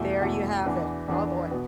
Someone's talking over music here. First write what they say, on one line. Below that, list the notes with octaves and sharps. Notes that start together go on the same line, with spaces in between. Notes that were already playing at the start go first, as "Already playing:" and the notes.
There you have it. Oh, boy.
Already playing: E2 B2 A3 E4
E2 B2 A3 E4
E2 E3 D4
E2 E3 D4
B2 B3